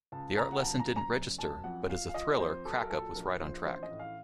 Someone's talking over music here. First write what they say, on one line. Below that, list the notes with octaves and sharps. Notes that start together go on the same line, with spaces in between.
The art lesson didn't register, but as a thriller "Crack-Up" was right on track.
C#2 A5
C#2 A#5
F#5
F#2 A5
A#5
F#1
A#5
F#1
F#2 A5
F2 F#5
F3 F5
F5
F3 D#5
F2 C5
F#3 A4
A#4
A#2 A4
A#1 A#4
A#1 C5
A1 C5
D#5
A2
F5